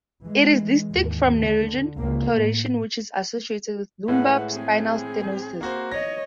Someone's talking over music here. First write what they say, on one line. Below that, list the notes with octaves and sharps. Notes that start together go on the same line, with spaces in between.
It is distinct from neurogenic claudication, which is associated with lumbar spinal stenosis.
E3 G#3
D#2 G#2
D3
C#2 A#3
A2
A2 G#3 B4 F#5
C4 G#4
A#3 F#4 C5
C#5 D#5 A#6